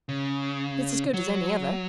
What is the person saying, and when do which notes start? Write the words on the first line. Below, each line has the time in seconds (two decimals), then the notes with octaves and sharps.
"It is as good as any other."
0.09 C#3
1.13 F#3